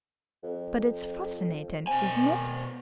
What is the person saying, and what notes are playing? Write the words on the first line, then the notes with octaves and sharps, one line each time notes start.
But it's fascinating, isn't it?
F2
B2 C4 G#5